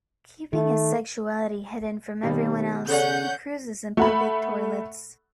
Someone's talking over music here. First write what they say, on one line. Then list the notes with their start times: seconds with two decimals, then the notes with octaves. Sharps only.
Keeping his sexuality hidden from everyone else, he cruises in public toilets.
0.53 D#3 A3
2.23 D#2 B2 D#3 G3
2.88 C#3 C#4 A4 C#5 D5 F#5 G6
3.97 A3 F#5 B5